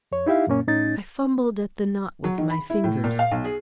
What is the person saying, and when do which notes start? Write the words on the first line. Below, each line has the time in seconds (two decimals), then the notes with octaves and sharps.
I fumbled at the knot with my fingers.
0.12 F2 C#5
0.26 D#4 E4 G4 E5 F5
0.47 F#2 A#2 A#3 C#4
0.67 A2 C#4 D#4 A6
2.24 F#3
2.38 D#3
2.50 B5
2.70 E4
2.84 A2
3.04 A#2
3.19 F5
3.31 B1
3.44 G#4